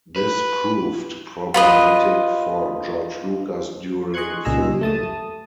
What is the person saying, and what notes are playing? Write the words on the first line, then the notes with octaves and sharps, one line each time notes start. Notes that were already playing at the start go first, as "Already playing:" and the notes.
This proved problematic for George Lucas during filming.
B4
F4 B4 D#5
D#5 G#5 C6 C#6 F#6 G#6
C#2 A#2 D#4 G#4 A#5 E6
A3 A5 D#6